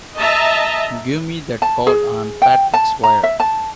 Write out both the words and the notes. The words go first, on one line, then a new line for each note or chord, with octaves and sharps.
Give me that call on Patrick's wire!
D#5 E5 A5 A#5
A5
G#4
G5
A5
A#5
E5
A5